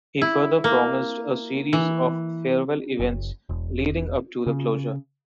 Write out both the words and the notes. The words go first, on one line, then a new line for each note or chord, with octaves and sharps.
He further promised a series of farewell events leading up to the closure.
E4
A#3
E3
F#1
E1
C#3